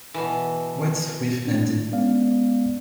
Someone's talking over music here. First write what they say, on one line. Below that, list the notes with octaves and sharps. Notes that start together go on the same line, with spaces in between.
What's with Andy?
B2 E3
C4 D4
G#3 B3 C#4 D5 F5